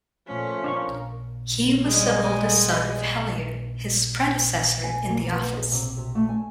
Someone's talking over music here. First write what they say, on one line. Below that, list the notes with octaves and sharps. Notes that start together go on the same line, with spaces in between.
He was the oldest son of Hellier, his predecessor in the office.
A#2 F3 A3 C#4 B6
D4 A#4 F5 C#6
G3 G#3 D#5 G#5
G#5
A#3
B3
B3
G#4
C3
C3
A3
G#5